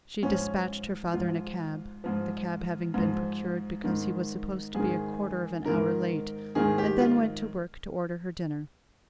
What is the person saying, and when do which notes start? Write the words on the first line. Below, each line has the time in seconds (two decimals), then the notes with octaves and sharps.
She despatched her father in a cab, the cab having been procured because he was supposed to be a quarter of an hour late, and then went to work to order her dinner.
0.23 G#2 F3 C#4
1.13 G#2 F3 F4
2.04 G#2 F3
2.94 G#2 F3
3.84 G#2 D#3
4.75 G#2 D#3 G#4
5.65 G#2 D#3 A#4
6.55 G#2 D#3 G#4
6.78 G4
7.00 F4